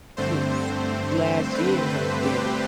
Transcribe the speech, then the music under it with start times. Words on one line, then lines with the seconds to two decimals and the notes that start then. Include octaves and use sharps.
this last year has been
0.17 G2 D3 A3 C4 C5
1.55 B4
1.89 B4
2.23 G4